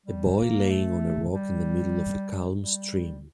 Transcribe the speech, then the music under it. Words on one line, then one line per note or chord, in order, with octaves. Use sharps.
A boy laying on a rock in the middle of a calm stream.
G3
A#3
A3
G3
G3